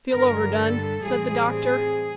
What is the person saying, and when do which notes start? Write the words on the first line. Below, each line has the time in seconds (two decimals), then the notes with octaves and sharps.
"Feel overdone?" said the doctor.
0.14 G2 D3 G3 A#4
0.59 A4
1.02 A2 E3 G3 C4 G#4
1.47 G#4